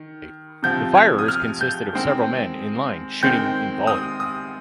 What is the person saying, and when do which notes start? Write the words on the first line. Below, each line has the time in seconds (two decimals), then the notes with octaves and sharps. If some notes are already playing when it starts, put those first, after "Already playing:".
The firers consisted of several men in line shooting in volley.
Already playing: D#3
0.63 C3 F3 C4 G6
0.95 G#6
1.19 D#6
1.28 F6
1.61 G6
1.93 D#3 G#3 C4
3.23 D#3 G#3 C4 G6
3.87 D#6
4.20 D#6